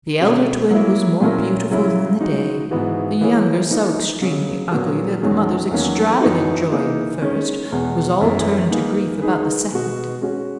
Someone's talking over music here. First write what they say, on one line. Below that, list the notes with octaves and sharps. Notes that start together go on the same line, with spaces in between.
The elder twin was more beautiful than the day--the younger so extremely ugly that the mother's extravagant joy in the first was all turned to grief about the second.
B2 G#3 C#4 F#4 C#5
F#3 A#3 E4
A#2 F#3 C#4 E4 A#4
C#3 F#3 C#4 E4
G#3 D#4 F#4
G#2 E3 B3 F#4
E3 A#3 E4 G#4 C#5
E3 A#3 D#4 A#4
C#3 F#3 C#4 G#4
A#2 F#3 B3 F#4 A#4
E2 D#3 F#3 C#4 G#4
E2 D#3 F#3 A#3 C#4
F#2 E3 B3 D#4 F#4
E3 A#3 D#4 G#4
D#3 G#3 C#4
E2 B2 G#3
F#2 E3 G#3 B3 E4
A#3 D#4 G#4 B4
D#3 G#3 D#4 G#4 B4
B2 G#3 B3 F#4
G#3 C#4 F#4